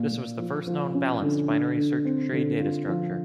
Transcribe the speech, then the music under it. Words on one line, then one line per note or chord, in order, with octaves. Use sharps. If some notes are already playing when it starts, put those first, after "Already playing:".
This was the first known balanced binary search tree data structure.
Already playing: A#2
A#2
F3
F3
C#4
D3
D4
D3
C4
D3
F4
F3